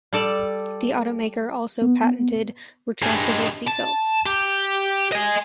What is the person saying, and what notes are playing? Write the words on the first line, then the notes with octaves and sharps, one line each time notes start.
The automaker also patented retractable seatbelts.
G3 A4 D5
B3
G2 G#3
A5
G4
D#5 G#5